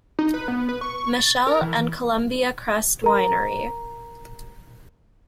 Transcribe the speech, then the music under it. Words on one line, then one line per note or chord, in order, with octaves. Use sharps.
Michelle, and Columbia Crest Winery.
D#4
B4
B3
B4
C#6
C#6
A6
A6
A#4
E3
A#4 A#5